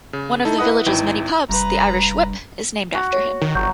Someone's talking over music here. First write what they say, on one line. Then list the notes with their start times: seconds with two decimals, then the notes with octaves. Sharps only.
One of the village's many pubs, "The Irish Whip", is named after him.
0.13 C#3
0.45 A3 D#4 E4 A4
0.58 E4 B4 D#5 F#5 D#6
0.86 G#1 E3 D#4 E4 G5
1.49 F1 G2 B4 A#5
2.94 F#4
3.13 C#5
3.41 D#3
3.55 G1 F#3 C#6 G6